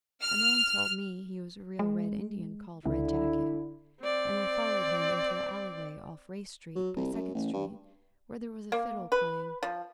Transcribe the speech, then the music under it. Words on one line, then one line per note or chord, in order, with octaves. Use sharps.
A man told me he was a real Red Indian called Red Jacket, and I followed him into an alley-way off Race Street by Second Street, where there was a fiddle playing.
F6
G#3
C#2 D3 E4
C4 D5
F#3
C2
F#2
A1
G2
A#3
B4
F3